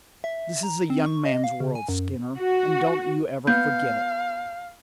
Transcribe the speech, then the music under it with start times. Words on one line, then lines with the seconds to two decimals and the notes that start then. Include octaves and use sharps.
This is a young man's world, Skinner, and don't you ever forget it.
0.24 E5
0.63 A#5
0.90 C4
1.06 C#6
1.25 D#5
1.44 F5
1.60 C#3
1.75 G#5
1.89 F#2
2.37 F#4
3.47 B3 F5 G6